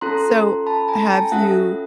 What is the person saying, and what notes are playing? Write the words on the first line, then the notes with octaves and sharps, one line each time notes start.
So, have you
C#4 F4 A4 A#5 C6
A5 B5
G#5 A#5
G5 A5
C#4 F4 A4 E5 F#5